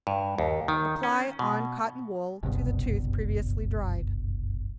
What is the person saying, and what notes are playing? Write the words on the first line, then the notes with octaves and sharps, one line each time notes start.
Apply on cotton wool, to the tooth, previously dried.
G2
D#2
D#3
C#4
B2
F#1 C2 G2 B2